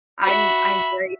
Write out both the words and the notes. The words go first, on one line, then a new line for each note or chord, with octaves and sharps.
I'm I'm very
F#4 E5 B5